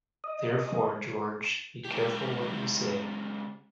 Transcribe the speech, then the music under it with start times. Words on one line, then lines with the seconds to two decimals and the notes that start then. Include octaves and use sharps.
Therefore, George, be careful what you say.
0.24 D#5
1.85 C#2 G4